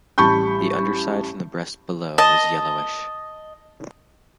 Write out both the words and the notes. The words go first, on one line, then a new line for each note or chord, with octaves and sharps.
The underside from the breast below is yellowish.
A1 G3 A5 B5 C#6 G6
D#5 A5